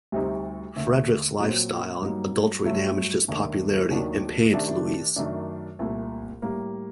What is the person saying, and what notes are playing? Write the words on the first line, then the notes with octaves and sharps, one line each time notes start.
Fredrick's life style and adultery damaged his popularity and pained Louise.
D2 C3 G3 C4 D#4
D#2 D3 A3
A#2 F#3 C4
G2 F#3 A#3 D#4
G2 F#3 A3
D#2 D#3 A3 D4
D#2 D#3 F#3 A3 D4
C3 D#3 A3 D4
F#2 D#3 A3 D4
C2 A#2 A3
A2 G3 A#3